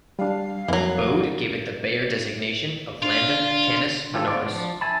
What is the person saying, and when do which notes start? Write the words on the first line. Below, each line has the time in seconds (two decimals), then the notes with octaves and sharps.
Bode gave it the Bayer designation of Lambda Canis Minoris.
0.19 G3 D4 F5
0.68 F2 E3 F#3 A#3
3.03 D4 F4
4.14 E3 F4 G4 A4
4.27 B3 F4 D5
4.46 F3 D4
4.81 E5 G#5 A5 B5